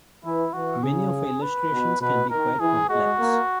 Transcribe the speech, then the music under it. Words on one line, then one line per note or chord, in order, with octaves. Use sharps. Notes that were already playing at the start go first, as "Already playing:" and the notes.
Many of her illustrations can be quite complex.
E3 E4
E3 F#4
C#3 G#4
B4
B2
B2 B4
D#3 A#4
E3 G#4
G#3 F#4
A#3